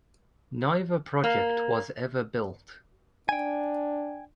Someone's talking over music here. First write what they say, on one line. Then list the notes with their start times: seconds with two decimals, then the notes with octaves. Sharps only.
Neither project was ever built.
1.24 A#3
3.29 D4 G5 G#5